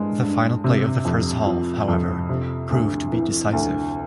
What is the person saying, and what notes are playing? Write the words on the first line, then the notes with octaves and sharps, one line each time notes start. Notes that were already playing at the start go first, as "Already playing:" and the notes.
The final play of the first half, however, proved to be decisive.
Already playing: G2 G#3
G2
C3
F2
F3
F2
C3
D2
E3
D2